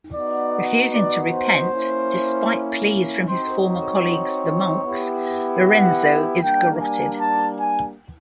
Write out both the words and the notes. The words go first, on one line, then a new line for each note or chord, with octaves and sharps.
Refusing to repent, despite pleas from his former colleagues the monks, Lorenzo is garrotted.
B3 D#4 F#4 D5
D5
C5
A#3 C#4 E4
C4 D#4 F#4 C5
C#5
B3 E4 G4
F#5
G3 A#3 D4 G5
G#5
A5
G#5